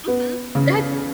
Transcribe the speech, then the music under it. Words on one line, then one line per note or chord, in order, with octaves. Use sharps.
Mhm. That's
B3
C#3